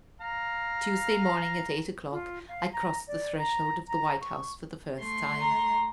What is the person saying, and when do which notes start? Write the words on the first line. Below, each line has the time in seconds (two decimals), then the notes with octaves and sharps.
Tuesday morning, at eight o'clock, I crossed the threshold of the White House for the first time.
0.21 F5 A#5
2.12 F4
2.49 F5
2.73 A#5
3.07 D5
3.38 A#5
3.88 A#5
4.21 C#6
4.98 A3 C6 C#6
5.40 A#5